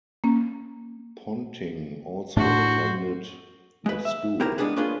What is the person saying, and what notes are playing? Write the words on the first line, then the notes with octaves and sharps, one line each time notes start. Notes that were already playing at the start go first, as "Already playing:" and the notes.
Ponting also attended the school.
A#3 C#4
A2 A3 D4 F#4 C5
G#3 B4
E5
B3 E4 G4 A#4 C5
G#3 B3 C#4 D4 G#4 B4
A#3 C#4 D4 F4 G#4 B4